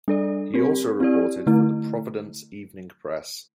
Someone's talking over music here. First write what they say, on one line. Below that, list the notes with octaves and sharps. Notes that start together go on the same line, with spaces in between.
He also reported for the "Providence Evening Press".
G3 D4 A4 D5
C4 G4 A#4
C4 E4 G4 D5
D3 A3 E4